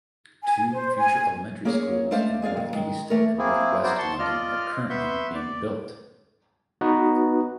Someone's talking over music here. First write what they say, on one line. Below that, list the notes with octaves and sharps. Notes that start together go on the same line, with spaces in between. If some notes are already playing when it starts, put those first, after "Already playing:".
Two future elementary schools in Northeast and Northwest London are currently being built.
G#5
C5
G#5
A#3 C#4 G#4 C#5
G#3 A3 D4 C5 F5
G#3 G#4 D5 F5
D#2 D#3
D#3 G#3
E3 A3 A#4
A#3 C4 E4 G#4
B3 E4 F#4 A#4 C5 D5
A5 C6 C#6
F4 D5 D#5 F6
B3 B4 E5 C6 C#6 G6
D5
B3 D#4 F#4 B4